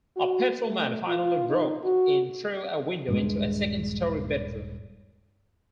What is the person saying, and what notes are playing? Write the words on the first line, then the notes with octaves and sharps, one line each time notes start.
A patrolman finally broke in through a window into a second-story bedroom.
F#4
A3
F4
D#4
F#4
D#1 G2 G#3